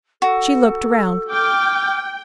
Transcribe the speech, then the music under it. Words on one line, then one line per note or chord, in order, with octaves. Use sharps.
She looked around.
F#4 A4
G5 D6 F6